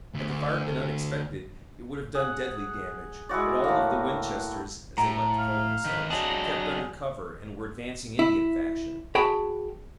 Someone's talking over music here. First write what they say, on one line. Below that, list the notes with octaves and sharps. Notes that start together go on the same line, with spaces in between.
Had the fire been unexpected it would have done deadly damage, but all of the Winchesters, as they liked to call themselves, had kept under cover, and were advancing Indian fashion.
D2
G#4 F#5
G#3 E4 F#4 D5
A2 A#3
A2 A#5
F5
D#3 B4
F#3 D4 G#4 D#5
E4
F#4 G#4 G5 A5 B5